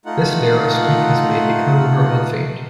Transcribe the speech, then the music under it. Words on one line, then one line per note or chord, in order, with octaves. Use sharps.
This narrow squeak has made me come over all faint.
A3 D#4 F4 F#5